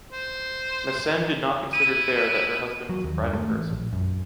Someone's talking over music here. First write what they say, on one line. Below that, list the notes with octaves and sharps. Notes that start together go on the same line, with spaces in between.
Mesene did not consider fair that her husband was a private person.
C5
E4 D#7
F#3
D#2
G2
A3
A1
A#1
F#2